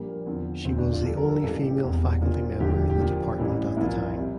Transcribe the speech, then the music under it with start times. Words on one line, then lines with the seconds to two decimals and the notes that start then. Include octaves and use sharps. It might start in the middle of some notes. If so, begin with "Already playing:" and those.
She was the only female faculty member in the department at the time.
Already playing: A#1 A#2 G3 A#3
0.26 E2 D3 F3 C4
0.65 E1 D2 C3 C4
0.78 D4
0.92 F4
1.04 A#1 A#2 G3 A4
1.17 A#4
1.29 A4
1.43 A1 G2 E3 G3 A4
1.63 G4
1.83 E1 E2 C3
2.21 A#1 A#2 F3
2.60 E1 D2 D3 F3 G4
2.70 G4
2.90 G4
2.99 A#1 A#2 F3
3.38 A1 A2 E3 G3
3.77 C2 A#2 F3 E4
4.15 C3 G3 C4